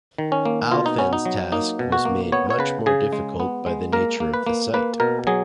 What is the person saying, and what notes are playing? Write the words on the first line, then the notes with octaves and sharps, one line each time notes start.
Alphand's task was made much more difficult by the nature of the site.
D#3
C#4
A#3
B2 F4
D#4
B3 C#4
D#4
F#3
A#3 D#4
B2
F#4
A#3
B3 C#5
C#5
C#3 B4
C#3 G#4
G#3
B3
G#3
A#3 A#4
A#3
B4
A#3
A#3 B4
B2 A#4
F#3 G#4